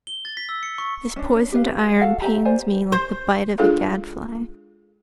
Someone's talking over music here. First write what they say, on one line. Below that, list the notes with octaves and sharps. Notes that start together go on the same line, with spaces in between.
This poisoned iron pains me like the bite of a gad-fly.
G7
A6
B6
E6
C#7
C#6
C#4 D4
G4 B4 F5
F#4 A4 F5 F#5
G4 E5 A5 A#5
C5 D5 G#5
C5
G#3 D4 F4 G#4 A4 F5